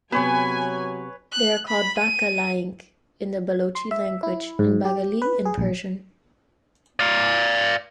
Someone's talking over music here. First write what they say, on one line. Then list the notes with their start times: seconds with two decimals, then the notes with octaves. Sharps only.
They are called "bakalaink" in the Balochi language, and "baghalee" in Persian.
0.12 C3 F#3 B3 B4 C#5 G#5
1.32 F#6
1.68 B5
1.98 D#7
3.75 C6
3.91 E5
4.23 E4
4.59 G#2
4.85 G4
5.22 B4
5.45 G#4
5.58 A#1
7.00 D5 F5